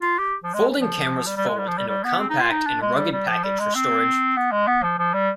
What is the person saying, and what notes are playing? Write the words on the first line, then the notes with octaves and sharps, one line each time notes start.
Folding cameras fold into a compact and rugged package for storage.
F4
G4
F3
G#3
F3
G3
G3
G#3
G3
F3
G3
G3
B3
C4
D#4
F4
D#4
D4
G#3
G3
G3
F3
G3
G#3
C4
B3
G#3
B3
F3
F3
G3